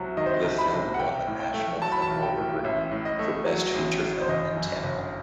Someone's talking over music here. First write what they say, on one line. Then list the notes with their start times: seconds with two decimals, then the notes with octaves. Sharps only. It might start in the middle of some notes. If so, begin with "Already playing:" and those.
The film won the National Film Award for Best Feature Film in Tamil.
Already playing: C2 C3 F#3
0.17 D#3 D#5
0.26 C5
0.34 D#5
0.44 C2
0.59 B5
0.72 C3
0.94 F#5
0.99 B1 G5
1.27 A2
1.40 G5
1.54 A3
1.82 F#3 A5
1.92 B5
2.02 A5
2.10 B1
2.23 G5
2.37 A2
2.64 A1 E5
2.91 A2
3.05 D#5
3.19 A3
3.46 F#3
3.74 A1
4.01 A2
4.21 C5
4.28 G1 D#5
4.57 F#2
4.84 G1